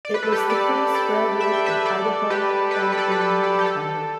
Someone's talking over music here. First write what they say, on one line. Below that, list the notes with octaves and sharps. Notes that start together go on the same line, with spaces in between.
It was the first railroad in Idaho and in Montana.
D5
B4
A4
G4 B4
A4 D5
A4 D5
E5
G5
B4 E5
A4 D5
G4 B4
B4
A4
B4
A4 D5
B4
A4
A4
G4
A4